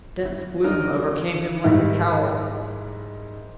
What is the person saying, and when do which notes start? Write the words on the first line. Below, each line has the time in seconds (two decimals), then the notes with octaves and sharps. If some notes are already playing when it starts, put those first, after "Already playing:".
Dense gloom overcame him like a cowl.
0.23 G1 E4
0.64 F2 D3 D#3 D#4 A#4 D#5 F5
1.64 G#2 D#3 G3 E4